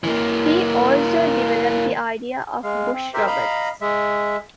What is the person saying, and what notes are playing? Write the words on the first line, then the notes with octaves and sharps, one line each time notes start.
He also developed the idea of bush robots.
E3 A#3
G#3 F5
C4
G4 A#4 C5 E5
D#5 F5 A#5 B5
G#3 E5